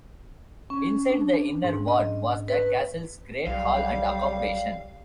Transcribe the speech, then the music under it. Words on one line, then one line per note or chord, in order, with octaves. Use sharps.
Inside the inner ward was the castle's Great Hall and accommodation.
C#4
D4
G#2
D#5
B4
B1 G3 F5